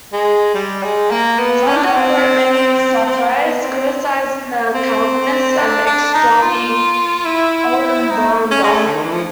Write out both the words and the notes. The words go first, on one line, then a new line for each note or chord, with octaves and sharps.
Vondel wrote many satires criticising the Calvinists and extolling Oldenbarnevelt.
G#3
G3
G#3
A#3
B3
C#4
D4
C#4
C4
C4
A#3
B3
C4
C4
D4
D4
D#4
F4
E4
D#4
C#4
G#3
A3
D3
D#3
E3
F3